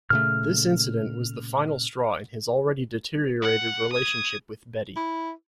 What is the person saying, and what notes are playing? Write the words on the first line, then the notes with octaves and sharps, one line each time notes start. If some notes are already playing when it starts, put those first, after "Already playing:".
This incident was the final straw in his already deteriorated relationship with Betty.
A#2 C#3 A3 F6
F#5
D#6 G#6
E4